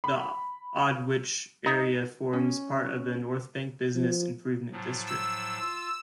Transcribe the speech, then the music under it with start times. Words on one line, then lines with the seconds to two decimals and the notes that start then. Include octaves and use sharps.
The Aldwych area forms part of the Northbank business improvement district.
0.04 B5
1.66 D#4
2.33 C#4
3.95 F3
4.72 A2 F3 F#3
5.07 E6
5.61 F4